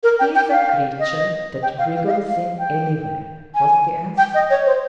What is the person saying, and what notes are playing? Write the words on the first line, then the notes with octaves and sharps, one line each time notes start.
"He's a creature that wriggles in anywhere!" was the answer.
A#4
G5
G5
F5
D#5
G5
F5
F5
D#5
F5
F5
G5
G#5
G5
D#5
C#5
C5